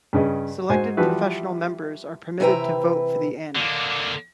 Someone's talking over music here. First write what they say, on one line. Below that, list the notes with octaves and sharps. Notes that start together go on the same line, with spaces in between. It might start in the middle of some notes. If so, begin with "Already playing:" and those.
Selected professional members are permitted to vote for the Annie.
G2 C#3 D#5
G#2 F#4 C5 G#5
E3 F3 G3 F#4 B4 E5
C3 E3 E4 B4 G5 A#5
D3 A#3